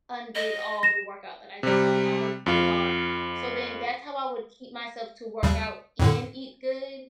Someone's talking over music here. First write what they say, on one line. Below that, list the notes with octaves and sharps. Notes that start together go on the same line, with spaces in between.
undid all the workout that I just, did and I worked really hard," so, then that's how I would keep myself to work out and eat good,
D#5
A#6 E7
C3 G3
F2 F4
D#2 C#3 G3
F2 A2 D3